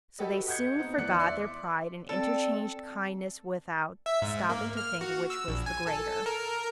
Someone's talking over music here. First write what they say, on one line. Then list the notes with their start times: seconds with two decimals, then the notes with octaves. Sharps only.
So they soon forgot their pride and interchanged kindnesses without stopping to think which was the greater.
0.19 F#4 G4 A4 B4 D#5
0.47 D#5 F#5 G6 G#6 C#7
0.79 B3 C4 D#4
0.98 E2 E3 B3 D5 F#6 C#7
1.19 D5 E5 C6 D6
2.09 C4 A4 D5
4.06 E5
4.22 G#2
4.50 A#3
4.77 F6
5.01 F#4
5.30 E6
5.48 A#1
5.66 G#5
5.87 A4
6.26 A#4